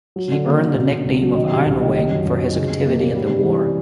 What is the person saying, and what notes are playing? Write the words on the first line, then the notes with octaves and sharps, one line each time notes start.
He earned the nickname of "Iron Wing" for his activity in the war.
F#3
D3
A#3
D3
B2
B2
C#2
F#3
D#3
C3
C2
D#3
D#3
F#2
F#2
D#3
C#3
C#3
A#3
A#3
G3
C3
E3
G3